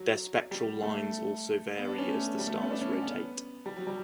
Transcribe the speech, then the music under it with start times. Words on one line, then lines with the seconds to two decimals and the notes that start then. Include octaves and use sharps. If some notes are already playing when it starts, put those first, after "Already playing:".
Their spectral lines also vary as the stars rotate.
Already playing: F#3
0.51 G3
0.82 A3
1.77 B3
1.88 D4
1.98 C#4
2.08 A3
2.38 G3
2.47 A3
2.55 B3
2.63 C#4
2.71 D4
2.81 C#4
2.92 C#4
3.02 B3
3.66 G3
3.76 F#3
3.87 G3